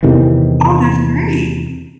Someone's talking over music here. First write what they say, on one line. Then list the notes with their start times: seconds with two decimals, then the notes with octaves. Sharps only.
Oh, that's great.
0.03 E2 C3 D#3 E3